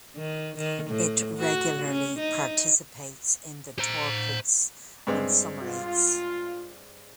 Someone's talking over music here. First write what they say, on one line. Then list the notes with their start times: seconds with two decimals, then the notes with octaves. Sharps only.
It regularly participates in the Torpids and Summer Eights.
0.17 D#3
0.58 D#3
0.90 A2
1.39 F#4
1.88 C#4
2.19 D#4
3.79 C5 A#5
5.07 G2 G#3 C4
5.62 F4